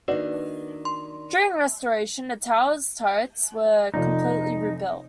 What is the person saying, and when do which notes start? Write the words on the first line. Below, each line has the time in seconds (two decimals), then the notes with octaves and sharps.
During restoration, the tower's turrets were completely rebuilt.
0.08 D#3 A#3 D4 D#4 F#4 B4 D5
0.85 C6
3.94 F1 F3 D#4 D5